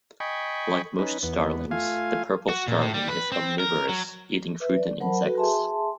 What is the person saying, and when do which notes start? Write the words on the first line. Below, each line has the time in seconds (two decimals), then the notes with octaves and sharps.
Like most starlings, the purple starling is omnivorous, eating fruit and insects.
0.20 D#5 G5 G#5 B5 C#6
0.99 C#4 D#4 B4
1.23 E2 B3
1.71 A3 F4 F5 G#5
2.49 F#4
2.68 A#2
2.81 A2
2.94 G3
3.09 B4
3.32 C4
3.60 A#4
3.89 F#3
4.60 B4 E5
4.78 D5
5.00 F#3 A#4 C5 F#5 A5 B5
5.24 F#4 A4 B4
5.37 G#4 E5 G#5 A5 C6